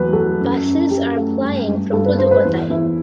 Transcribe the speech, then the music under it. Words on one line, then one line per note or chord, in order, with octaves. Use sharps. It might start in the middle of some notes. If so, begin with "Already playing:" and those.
Buses are plying from Pudukottai.
Already playing: E2 F#3 A3 B4
F#3 A4
F#2
F#2
F#2 G4
A3
G2
G2
G2 A4
B4
G2 C5
B4
E2
E2 E4